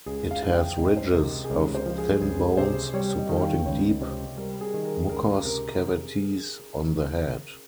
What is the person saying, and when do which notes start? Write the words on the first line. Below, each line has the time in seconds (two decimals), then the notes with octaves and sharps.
It has ridges of thin bones supporting deep mucous cavities on the head.
0.06 C#2 G#4
0.31 F5
0.42 F3 F5
0.54 G5
0.78 C#2 D#5
0.97 C5
1.14 C3 A#4
1.44 G#4
1.50 C#2 A#4
1.75 C5
1.86 F3
1.98 G#4
2.21 C#2 G#4
2.57 C3 C5
2.94 G3 C#5
3.18 D#5
3.29 D#3
3.37 G5
3.41 F5
3.66 C#2 C#5
4.01 C3 C5
4.38 G3 A#4
4.61 G#4
4.74 D#3
4.85 A#4
5.09 C#2 A#4
5.45 C3 A#4